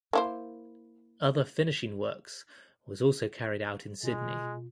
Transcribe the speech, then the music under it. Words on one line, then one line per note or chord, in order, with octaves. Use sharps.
Other finishing works was also carried out in Sydney.
A#3 E4 C5
B2 G#3 F4